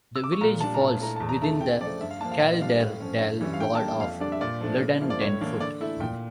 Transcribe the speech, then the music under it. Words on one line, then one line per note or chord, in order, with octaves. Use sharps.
The village falls within the Calderdale Ward of Luddendenfoot.
E6
D6
C#6
A#2 A#5
G3 D4 A5
A#5
A#2
A5
A3 E4 A#5
E2 A5
A#5
D3 A3 E4 A5
C#3 G5
F3 A3 D5
G2 E5
F5
F3 A#3 D4 A5
F5
A#2 E5
G3 D4 F5
A2
F3 C#4
G2
E3 G3 C#4
F5
D3 G5
A5
G3 A#3
G5
F2 F5
D3 G3 D4 D5
E5
A#2 D5
F3 A3 D4
C#3
F3 A#3 E4
D5
A2 C#5
E3 A#3 D4
D3 D5
A3 E4 E5
A#2 G5